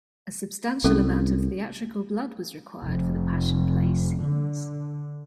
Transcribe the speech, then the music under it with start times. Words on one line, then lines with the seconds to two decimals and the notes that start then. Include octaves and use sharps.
A substantial amount of theatrical blood was required for the Passion play scenes.
0.84 C2 C#4 A4
2.82 F1
4.23 D3